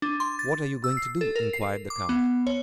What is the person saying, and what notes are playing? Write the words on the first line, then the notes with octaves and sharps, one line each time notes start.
"What are you going to do?" inquired the count.
D4
C6
A6
E6
C7
A4
A#4
C7
D6
B3
C#5